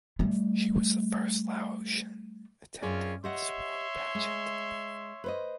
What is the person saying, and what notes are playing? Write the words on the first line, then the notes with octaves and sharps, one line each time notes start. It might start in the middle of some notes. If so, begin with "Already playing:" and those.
She was the first Laotian attended Miss World pageant.
G3 A3
F#2 C4 C#4 F4 G#4 D5
G4 C#5 D#5 E5 F#5 C6
G#3
B4 C5 D#5